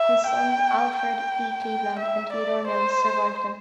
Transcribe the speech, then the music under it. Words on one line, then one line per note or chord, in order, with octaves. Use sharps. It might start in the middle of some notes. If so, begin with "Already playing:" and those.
His sons Alfred D Cleveland and Theodore Mills survive him.
Already playing: E5
G5
G5
G5
E5
D5
C5